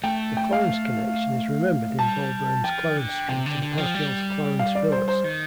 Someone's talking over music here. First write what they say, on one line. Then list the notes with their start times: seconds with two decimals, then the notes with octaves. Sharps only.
The Clarence connection is remembered in Bowburn's Clarence Street and Parkhill's Clarence Villas.
0.04 A3 G5
0.37 G5
0.53 F5
1.99 G3 A5
2.64 F3 G5
2.97 D3
3.29 C3 G5
3.46 D3
3.62 D3
3.78 F3
3.94 G3
4.59 F5
4.75 D5
4.92 C5
5.08 C5
5.24 D#3